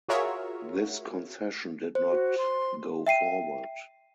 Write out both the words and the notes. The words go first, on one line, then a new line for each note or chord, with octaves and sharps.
This concession did not go forward.
F4 F#4 G#4 A#4 C#5 E5
C5
F#4
C6
E5 G5 C7 D#7